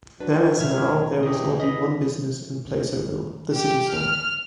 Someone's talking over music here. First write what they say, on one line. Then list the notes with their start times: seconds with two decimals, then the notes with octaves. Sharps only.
Then as now there was only one business in Placerville, the city store.
0.20 F#3 D4 B4
0.59 B2 D3 E5 F6 G#6
1.23 E2 G4 D#5
1.60 D#5 B5
3.54 G4
3.93 F6